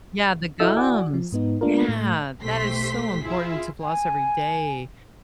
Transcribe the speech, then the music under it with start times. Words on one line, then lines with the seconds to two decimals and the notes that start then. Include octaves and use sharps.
Yeah, the gums. Yeah, that is so important to floss every day
0.60 E4 F#4 A4 D#5 E5 E6
0.77 E4 F#4 D5 F#5 G#5 D6
1.14 F3
1.32 G#2 B3 D#4
1.61 G#3 A#3 B3 D4 F4 A#4
1.84 A2 A3
2.41 B1 A3 G4 C5 C6 B6
3.22 E4 F4 G#4 E5
3.81 G#5